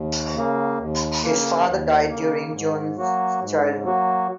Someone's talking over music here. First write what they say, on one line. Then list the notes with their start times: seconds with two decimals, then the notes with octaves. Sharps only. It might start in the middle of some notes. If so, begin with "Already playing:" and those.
His father died during Jones's childhood.
Already playing: D#2
0.34 C#3 A#3
0.79 D#2
1.22 C#3 A#3
1.66 D#2
2.09 C#3 A#3
2.52 G#2
2.96 F#3 A#3 F#4
3.40 G#2
3.83 F#3 A#3 F#4